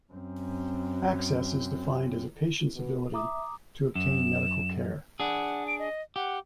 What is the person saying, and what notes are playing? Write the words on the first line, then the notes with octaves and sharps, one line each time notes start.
Access is defined as a patient's ability to obtain medical care.
F#2 C4
B2
E5 A#5 D6 D#6
F#2 E7
D4 G#4 F#5
D7
D#5
G4 F#5